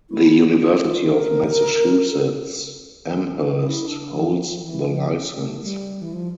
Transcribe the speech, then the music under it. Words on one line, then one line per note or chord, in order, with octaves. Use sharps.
The University of Massachusetts Amherst holds the license.
E4
F4
F4
A#4
A4
E4
D4
F3
F3
F3
E3
F3
A3
G3
E3
F3